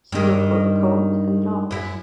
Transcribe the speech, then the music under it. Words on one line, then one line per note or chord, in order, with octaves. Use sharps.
He wrote both poems and novels.
G2 D#3
F#2 E4